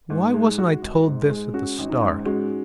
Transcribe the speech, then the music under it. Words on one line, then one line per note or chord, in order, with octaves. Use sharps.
"Why wasn't I told this at the start?"
G#2 D#4
G#3
F#4
G#1
G#2
G#3
C#4 F#4
G#1
D#4
G#2
G#3 C#4 F#4